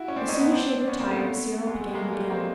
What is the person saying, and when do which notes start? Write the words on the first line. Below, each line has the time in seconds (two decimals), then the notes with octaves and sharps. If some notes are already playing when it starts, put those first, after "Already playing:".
As soon as she had retired, Cyril began again.
Already playing: E4 F#4
0.08 C#4
0.16 C4 D4
0.28 C#4 D#4
0.40 B3 C#4
0.52 C4 D4
0.81 D4
0.88 B3 C#4
1.00 A#3 C4
1.11 A3 B3
1.67 G#3
1.81 A3
1.94 G#3 A#3
2.12 G3 A3
2.30 A#3 C4